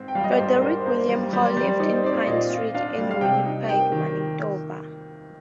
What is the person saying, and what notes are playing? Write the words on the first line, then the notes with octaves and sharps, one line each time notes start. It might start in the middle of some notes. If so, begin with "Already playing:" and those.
Frederick William Hall lived on Pine Street, in Winnipeg, Manitoba.
Already playing: G#2 C4
G5
G3 F5
D#5
D5
G#2 C5
A#4
D4 C5
A#3 C5
G3 A#4
G3 C5
D5
G3 C5
D#4 D5
C5
C4 D5
A#2 D#5
F4
D4 F5
G3
F5
C3 G5
D#4
A#3 G5
D#3